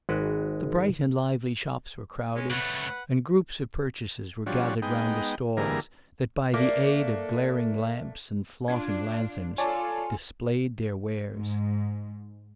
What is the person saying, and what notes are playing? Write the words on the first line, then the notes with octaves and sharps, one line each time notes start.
The bright and lively shops were crowded; and groups of purchasers were gathered round the stalls, that by the aid of glaring lamps and flaunting lanthorns, displayed their wares.
G#1 G#3 F#4 B4 G5
G#3 C#4
C#3 A3 B4 F#5
F3 G3 C#4 D4 F#4
G#3 B3 D#4 G5
D3 E3 G3 A#3 G#4 A#4
A3 A#3 D4
D4 F4 G#6
F4 A4 C#5 D5 G#5 A5
G#2